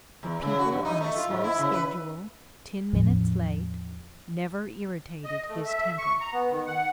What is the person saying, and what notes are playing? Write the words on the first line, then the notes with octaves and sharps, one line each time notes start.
The people on a slow schedule, ten minutes late, never irritated his temper.
E2
C#3
F#4
G2
D#4
A3
F4
G#2
E4
C#3
B4
E2 A2 F3 C#4
D#5
A3
E5
C#6
A#5
B3
D#3
F#5